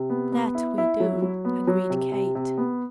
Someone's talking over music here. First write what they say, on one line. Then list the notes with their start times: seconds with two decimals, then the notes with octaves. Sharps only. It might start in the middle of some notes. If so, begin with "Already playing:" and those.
"That we do!" agreed Kate.
Already playing: C3
0.10 B3
0.32 B3
0.55 E4
0.78 E4
1.00 F#3
1.22 F#3
1.45 B3
1.67 F#3
1.90 C3
2.12 C3
2.35 C3
2.58 B3